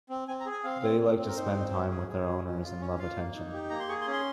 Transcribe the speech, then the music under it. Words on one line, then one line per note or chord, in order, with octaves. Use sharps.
They like to spend time with their owners and love attention.
C4
C4 G#5
A#5
G#4
G#5
C4 F5
C4
C4
C4
A#4
D#4 C5
C4
C#4
G#4
G#4
C#4
C#4
F4
C#4 C#5
F4 F5
A#3
D#4
G4
A#3 A#5
C6
G#4 C#6
C6
C#4
C6